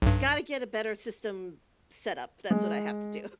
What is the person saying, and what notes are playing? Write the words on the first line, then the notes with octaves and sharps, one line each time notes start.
gotta get a better system set up, that's what I have to do.
B1 G2
G#3